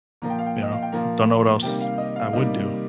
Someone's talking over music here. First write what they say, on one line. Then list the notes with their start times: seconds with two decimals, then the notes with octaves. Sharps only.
you know don't know what else I would do.
0.22 A#2 F3 A#3 A#5
0.30 G5
0.38 F5
0.46 G5
0.63 D#5
0.72 F5
0.82 G5
0.92 A#2 F3 A#3 A#5
1.63 C3 D#3 G3 A#3 G5
1.81 F5
1.98 D#5
2.16 F5
2.33 C3 D#3 G3 A#3 D#5